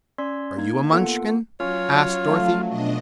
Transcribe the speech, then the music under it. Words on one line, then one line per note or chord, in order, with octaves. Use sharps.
"Are you a Munchkin?" asked Dorothy.
C#4 D5 C6 E6 G#6 B6
A#3 D#4 G#6
A#3 B3 F4 A4 F#5
F#3 C#4 F4 C#5
F3 A3
B2 D4 D#5